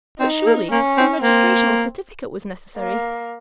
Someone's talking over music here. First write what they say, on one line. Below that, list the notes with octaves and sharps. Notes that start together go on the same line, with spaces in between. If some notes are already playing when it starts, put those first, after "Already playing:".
"But surely some registration or certificate was necessary?"
C4 D#4
A#3
A#3 C#4
C4
A#3 C4
A#3